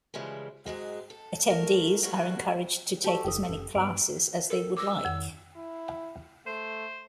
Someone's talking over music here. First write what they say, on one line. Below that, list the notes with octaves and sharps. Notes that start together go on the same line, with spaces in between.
Attendees are encouraged to take as many classes as they would like.
C#3 E3 F3 G3 G#3
G#2 F#3 G#3
A4
A3 A#4
F#3 G3 A3 A#3 F#4 C#5
F#4 G4 A4 A5 C#6
F#1 G5 D#6
F#1 C#4
G2 B3 D7
A4 A#4
D6 E6 A#6
F2 D#3
E4
A3 C5